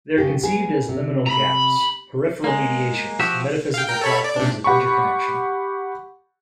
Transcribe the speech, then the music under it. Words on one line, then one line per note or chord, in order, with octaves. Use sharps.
They're conceived as liminal gaps: peripheral mediations, metaphysical platforms of interconnection.
C#3 G4
B3 G#4
C3
A#5 B5
G#3 A#3
F3 F#4 G4 E5
F5 G5
A#4 G5
A4 C#5 B5
D5
C3 D4
G4 F#5 B5 C#6